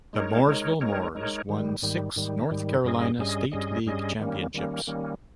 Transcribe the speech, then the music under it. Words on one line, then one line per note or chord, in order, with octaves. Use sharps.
The Mooresville Moors won six North Carolina State League Championships.
G#3 D#4 A#4 C#5
G#3 D#4 A#4 C#5
G#3 D#4 A#4 C#5
G#3 D#4 A#4 C#5
G#2 D#3 G3
G#2 D#3 G3
G#2 D#3 G3
G#2 D#3 G3
G2 G3 C#4 G#4 D#5
G2 G3 C#4 G#4 D#5
G2 G3 C#4 G#4 D#5
G2 G3 C#4 G#4 D#5
D#3 G3 A#3 C#4
D#3 G3 A#3 C#4
D#3 G3 A#3 C#4